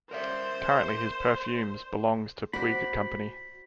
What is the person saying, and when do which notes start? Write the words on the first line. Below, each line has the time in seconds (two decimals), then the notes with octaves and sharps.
Currently his perfumes belongs to Puig company.
0.11 A#4 C5 D5 E5
2.53 F#4 C5 D5 B5